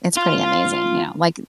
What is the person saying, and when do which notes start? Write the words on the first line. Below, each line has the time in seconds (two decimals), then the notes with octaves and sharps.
It's pretty amazing, you know, like,
0.17 F4